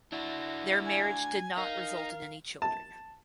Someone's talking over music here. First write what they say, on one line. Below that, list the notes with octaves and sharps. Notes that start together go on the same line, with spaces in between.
Their marriage did not result in any children.
D4 E4 F#4
G#5
D#4 A#4 F5
A5